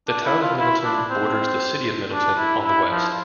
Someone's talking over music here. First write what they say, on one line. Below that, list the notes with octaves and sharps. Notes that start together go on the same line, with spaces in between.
The Town of Middleton borders the City of Middleton on the west.
D4
E4
F4
E4
D4
C4
D4
E4
E4
F3